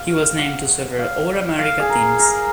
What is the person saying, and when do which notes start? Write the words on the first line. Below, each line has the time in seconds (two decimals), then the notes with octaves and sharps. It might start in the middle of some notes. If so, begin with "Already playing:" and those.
He was named to several All-America teams.
Already playing: F5
0.39 F#5
0.99 F5
1.59 F5
1.79 G#4
1.89 A#4
2.19 A#4